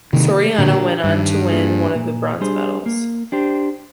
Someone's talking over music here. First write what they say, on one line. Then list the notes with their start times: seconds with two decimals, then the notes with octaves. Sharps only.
Soriano went on to win one of the bronze medals.
0.13 C3 D#3 A#3
0.58 A#2 D3 D4 G4 A#4
1.04 G2 D#3
1.50 A#3 F4 G#4
1.95 A#2
2.41 G3 D4 G#4 C5
2.86 A#3
3.32 D4 G4 C5